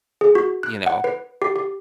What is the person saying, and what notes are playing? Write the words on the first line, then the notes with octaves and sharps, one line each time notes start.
you know
G#4
F#4
F#6
F#5
B4
G4
G4